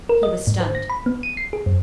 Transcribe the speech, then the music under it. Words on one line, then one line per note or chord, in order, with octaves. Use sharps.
He was stunned.
A#4
D#5
G#2
C5
A#6
B5
B3
D#7
C7
G#4
F#2